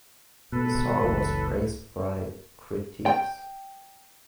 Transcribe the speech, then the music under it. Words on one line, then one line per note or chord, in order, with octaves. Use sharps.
The song was praised by critics.
B2 A4 B4
F#1 C#2 E3 F#3 E4
G5